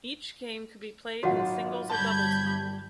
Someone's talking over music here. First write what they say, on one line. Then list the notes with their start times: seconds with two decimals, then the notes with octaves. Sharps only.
Each game could be played in singles or doubles mode.
1.23 G#1 A#2 F#3 F4 F#4 F#5
1.90 G1 G3 A5 B5 G6 G#6